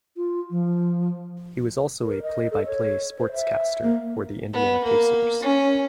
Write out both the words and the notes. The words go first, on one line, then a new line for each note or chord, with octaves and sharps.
He was also a play-by-play sportscaster for the Indiana Pacers.
F4
F3
A#4
D#5
A4
C#5
C5
E5
A#3
B3
A#3
C#4